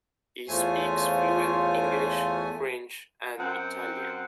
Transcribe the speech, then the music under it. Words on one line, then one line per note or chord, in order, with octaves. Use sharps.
He speaks fluent English, French, and Italian.
E2 A3 F4 C5 C#5 G#5
F#2 C4 F#5 G5